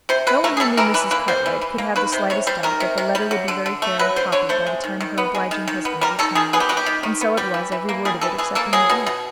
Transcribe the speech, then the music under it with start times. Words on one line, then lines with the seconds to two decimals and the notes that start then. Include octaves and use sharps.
No one who knew Mrs. Cartwright could have the slightest doubt that the letter would be very fairly copied by the time her obliging husband returned: and so it was every word of it excepting the date.
0.09 C3 C5
0.27 C3 B4
0.44 A3 A#4
0.57 G#4
0.60 G3 A4
0.77 E3 A#4
0.94 E3 B4
1.11 A#3 B4
1.28 G3 C5
1.46 E3
1.61 E3
1.78 A#3
1.96 D#3 B4
2.12 C3 C5
2.30 C3 C#5
2.47 G3 C5
2.63 D#3 A#4
2.80 C3
2.98 C3
3.15 G3
3.31 F#3
3.48 D3
3.66 D3
3.82 A3
3.99 F#3 B4
4.16 D3 C5
4.32 D3 C#5
4.49 A3 C5
4.67 G#3
4.84 D#3
5.01 D#3
5.18 B3
5.35 G#3
5.51 D#3
5.68 D#3
5.85 B3
6.01 G3 A#4
6.19 D#3 A4
6.35 D#3 G#4
6.53 B3 G#4
6.60 G4
6.69 G3 F#4
6.77 G4
6.86 D#3
7.03 D#3
7.21 B3
7.37 G3 G4
7.54 E3
7.72 E3
7.89 A#3
8.05 G3 G#4
8.21 E3 A4
8.38 E3 G#4
8.55 A#3 A4
8.73 F#3 G#4
8.89 B2
9.07 B2